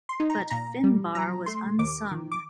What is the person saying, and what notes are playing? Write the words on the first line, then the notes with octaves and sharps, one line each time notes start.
But Finbarr was unsung.
C6
D#4
A#5
A#2 A#5
G3
F#3 A#5
A3 C6
D#2 D6
D#3
D6